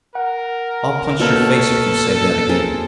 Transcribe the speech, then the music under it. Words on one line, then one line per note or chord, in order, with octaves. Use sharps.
I'll punch your face if you say that again!
A#4 F#5
B2 A#3 A4 C#5 B5 F6
B4
G#4 A#4 C5